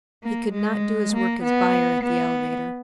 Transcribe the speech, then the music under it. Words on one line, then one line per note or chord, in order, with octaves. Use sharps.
He could not do his work as buyer at the elevator.
A#3
G#3
A#3
B3
B3